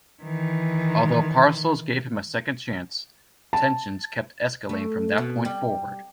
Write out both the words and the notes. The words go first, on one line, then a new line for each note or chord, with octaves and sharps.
Although Parcells gave him a second chance, tensions kept escalating from that point forward.
D#3 E3
A5
A3
B2
G3